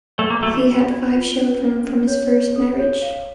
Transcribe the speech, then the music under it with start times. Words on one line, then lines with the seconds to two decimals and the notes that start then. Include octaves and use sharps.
He had five children from his first marriage.
0.18 A3 D5
0.30 A#3
0.42 A3 F#4
0.54 E3
0.65 F#4
0.90 D5
1.14 F4
1.36 C#4
1.61 C#4
1.85 C#4
2.07 C#5
2.31 C#5
2.56 A4
2.79 C#5
3.02 F5